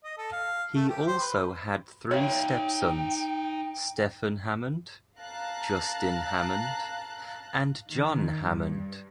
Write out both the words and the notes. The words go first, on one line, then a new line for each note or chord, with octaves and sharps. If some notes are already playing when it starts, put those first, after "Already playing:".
He also had three step sons, Stephen Hammond, Justin Hammond, and John Hammond.
D#5
A4
F5
A3
G4
C5
B4
D#4 C#5 E5 F5 G5
F5 A5 A#5 F#6 A6
D#3
G2